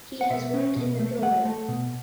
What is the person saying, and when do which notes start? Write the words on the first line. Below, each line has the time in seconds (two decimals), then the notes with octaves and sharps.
He has worked in the Pilbara.
0.21 F#5
0.30 B2 E5
0.54 C#4
0.76 B2
1.00 A3
1.22 A3 F#5
1.45 A3
1.68 B2